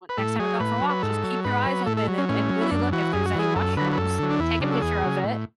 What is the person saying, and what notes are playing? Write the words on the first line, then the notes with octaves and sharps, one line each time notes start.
n next time you're going for a walk, just keep your eyes open and and really look if there's any mushrooms, take a picture of it,
B4
A2 A4
F#3 G#4
A2 B4
F#3
B4
G#2 A4
F#3
G#2 B4
F#3
A2 A4
A4
F#3
C#4
A2 C#4
F#3
E4
F#2 D4
E3 F#4
F#2 G#4
F#4
E3 G#4
F#2 A4
D3 F#3 B4
B4
F#2 A4
D3 F#3
D4
E2 E4
C#3 F#3 D4
A4
E2 G#4
C#3 F#3
A2